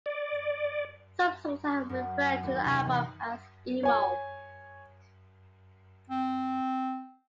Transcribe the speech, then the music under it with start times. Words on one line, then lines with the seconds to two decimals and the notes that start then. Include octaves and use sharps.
Some sources have referred to the album as "emo".
0.06 D5
1.89 F#2
2.43 D#2
2.65 C3
2.86 E3
3.83 C#5 G#5
6.10 C4